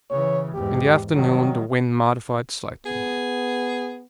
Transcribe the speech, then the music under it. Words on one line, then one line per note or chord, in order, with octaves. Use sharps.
In the afternoon the wind modified slightly.
C#3 E3 C#5
E2 G#2 G4
D#3 F#3 G3
B3 G#4